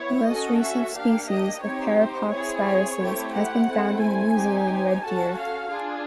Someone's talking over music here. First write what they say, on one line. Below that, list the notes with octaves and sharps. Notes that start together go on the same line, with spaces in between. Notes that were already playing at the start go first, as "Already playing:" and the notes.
The most recent species of parapoxviruses has been found in New Zealand Red Deer.
Already playing: B3 E4 C#5
C#4 F#4 A4 D#5
E5
A#3 D4 G4 F5
D#5
C4 D#4 G4 C#5
C5
C4 E4 G#4 C#5
C#5
A3 C4 E4 G4
F#5
A3 C4 E4 A4
G#5
C4 D#4 G4
C#4 F#4 A4 A5
F5
D4 F4 G#4